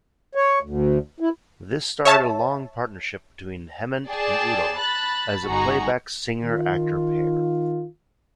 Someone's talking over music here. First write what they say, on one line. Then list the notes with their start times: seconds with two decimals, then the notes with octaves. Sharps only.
This started a long partnership between Hemant and Uttam as a playback singer-actor pair.
0.35 C#5
0.63 D2
1.20 E4
2.05 C#5 E5 A5
4.07 G#4 D5 G5 A5
4.77 A5 B5 F#6 A6
5.46 G1 D#4 F#4 G#4 A#5
6.43 D#3 F4